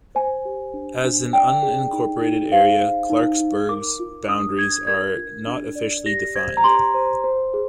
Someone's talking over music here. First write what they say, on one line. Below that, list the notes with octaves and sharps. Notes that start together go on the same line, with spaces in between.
As an unincorporated area, Clarksburg's boundaries are not officially defined.
C5 G#5
G4
D4
D4
D5 G5
G#4
D#4
D#4
C5 F5
G#4
D#4
D#4
A#4 D6
F4
D4 D#6
D4 G#6
A#4 G#6
F4
D4
D5
G4 A#6
C5 G#6
A#5
G4 C6
C5
C5
G#4